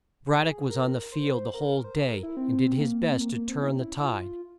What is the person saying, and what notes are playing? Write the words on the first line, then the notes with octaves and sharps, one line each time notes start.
Brad-dock was on the field the whole day, and did his best to turn the tide.
G#4
A#4
C5
A#4
C5
A#4
G#4
A#4
E4
C4
A#3
C4
A#3
A#3
C4
E4
C#4
E4
E4
F4